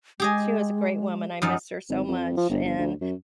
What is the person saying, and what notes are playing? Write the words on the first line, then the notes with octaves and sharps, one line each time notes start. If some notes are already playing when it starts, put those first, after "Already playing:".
she was a great woman, I miss her so much and,
G#3 G4 G#4 D#5
F#2 F3 D#4
G#1
F2
F3
G1
G1
D2
F#2